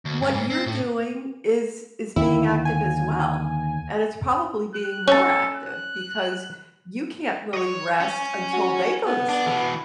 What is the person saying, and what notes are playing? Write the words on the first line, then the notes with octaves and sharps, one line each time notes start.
what you're doing is is being active as well, and it's probably being more active because you can't really rest until they go to sleep.
D2
G2
G#2
C4
A2
D#2 D3 E4
G#5
F#6
C#4 A4 C#5 A5
F#6
C#5 D#5
C#4
F#4
B3
D4
B2 E3